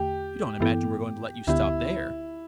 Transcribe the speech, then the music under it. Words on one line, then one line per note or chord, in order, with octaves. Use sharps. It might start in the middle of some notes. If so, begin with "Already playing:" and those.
"You don't imagine we're going to let you stop there?"
Already playing: E2 D3 A3 G4
G2 E3 B3 E4 A4
D2 D3 B3 E4 G4